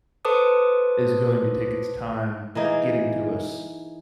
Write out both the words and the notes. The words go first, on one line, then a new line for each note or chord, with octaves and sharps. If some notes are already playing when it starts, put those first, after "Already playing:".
is going to take its time getting to us,
A4 B4 C5 A5 D6 D#6
E3 A#3 D#4 G#4